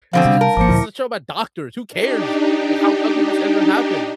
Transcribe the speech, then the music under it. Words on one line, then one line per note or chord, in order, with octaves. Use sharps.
This is this is this is a show about doctors. Who cares? Like, how the hell did this ever happen?"
B2 D3 F3 C4 F5
C3 G3
A#4 A5
G#1 F3 A#3 D6 C#7
D2 A#2 E4
D4 D#4 G4